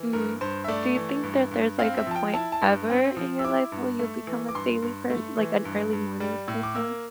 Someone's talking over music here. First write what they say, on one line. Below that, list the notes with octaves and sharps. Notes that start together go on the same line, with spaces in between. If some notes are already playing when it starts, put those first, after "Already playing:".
mhm do you think that there's, like, a point ever in your life where you'll become a daily pers like, an early mornings person?
Already playing: E3
G2 A#4
G2 C5
E5
A3 D5
E3
G2
G2
C4 F5
E5
F3 A5
G5
E4 A5
A5
G2
C4
F3
E6
E4 D6
G2
A3
E3
D6
G2 C6
G2
A3
E3
G2
G2
G3
A2
D6
A#3 E6